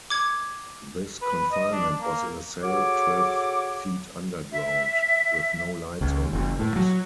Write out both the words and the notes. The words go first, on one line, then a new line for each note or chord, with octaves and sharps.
This confinement was in a cell twelve feet underground, with no lights or windows.
D6 G#6
B4
D#5
D4
A#3
F#4 G#4 A4 C#5 D6
E5
C#2
F#1
A2
F#3